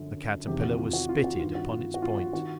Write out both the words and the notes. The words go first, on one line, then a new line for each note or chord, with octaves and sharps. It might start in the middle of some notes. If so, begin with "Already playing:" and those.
The caterpillar was spitted upon its point.
Already playing: F#2 D3 F3
E2 C3 D#3 G4
F#4
F4
F#4
F4
F#4
G2 D#3 F4
F#4
F4
F#4
F4
F#4
D#3 F#4